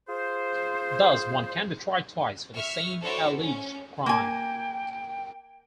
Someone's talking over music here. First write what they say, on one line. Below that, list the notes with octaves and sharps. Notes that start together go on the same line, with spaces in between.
Thus one can be tried twice for the same alleged crime.
F4 G#4 C5
E5 C#6 F6
D4 E4 F#4 A4 C5 C#5
C#4
A#3 G5 G#5